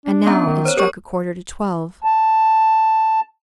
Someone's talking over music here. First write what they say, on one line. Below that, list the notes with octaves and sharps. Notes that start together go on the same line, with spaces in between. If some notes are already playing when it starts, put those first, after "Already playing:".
And now, it struck a quarter to twelve.
D4
B3 C#4 A#5
D#3
C5 C#5
G4 A#4 C#5 C#6
A5